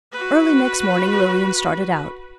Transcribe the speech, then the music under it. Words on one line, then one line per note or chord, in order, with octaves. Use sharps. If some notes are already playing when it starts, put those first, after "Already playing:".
Early next morning Lilian started out.
F#4 B4